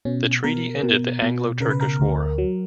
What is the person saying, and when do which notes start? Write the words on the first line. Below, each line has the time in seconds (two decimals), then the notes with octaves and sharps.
The treaty ended the Anglo-Turkish War.
0.05 B2 C#4
0.44 B2 A#4
0.83 B2
1.22 B2
1.60 C#3 A#4
1.71 B4
1.81 A#4
2.00 D2
2.38 F#3